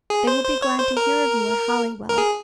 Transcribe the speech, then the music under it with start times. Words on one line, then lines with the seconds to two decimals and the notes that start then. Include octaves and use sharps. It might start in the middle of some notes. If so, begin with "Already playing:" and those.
They will be glad to hear of you at Hollywell.
0.10 G#4
0.27 C5
0.45 C5
0.62 C#5
0.79 C5
0.97 A#4
2.10 A#4
2.18 G#4